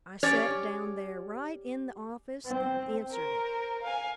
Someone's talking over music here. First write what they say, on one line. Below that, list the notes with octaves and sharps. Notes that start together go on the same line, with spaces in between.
I set down there right in the office and answered it.
C#4 G4 C#5 D5
C4
A#4 C5
F5 G#5